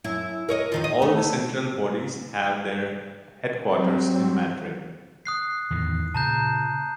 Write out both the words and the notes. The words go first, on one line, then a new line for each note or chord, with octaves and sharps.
All the central bodies have their headquarters in Madrid.
F#2 E4
A#4 C#5 D#5
F2 D#3 F4
D#5
A3
F#3 C4
D#6 F#6 C7
E2 A2 D#3
A#2 C#3 A5 A#5 G6